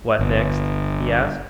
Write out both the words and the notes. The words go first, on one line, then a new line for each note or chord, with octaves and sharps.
"What next?" he asked.
G1